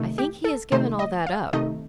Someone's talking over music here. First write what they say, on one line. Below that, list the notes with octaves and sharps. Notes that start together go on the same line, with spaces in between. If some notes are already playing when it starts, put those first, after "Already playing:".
"I think he has given all that up."
Already playing: C3 D#3 A3 D#4
G4
A4
C3 D#3 A3 D#4 C5
D#5
F5
C3 D#3 A3 D#4 D#5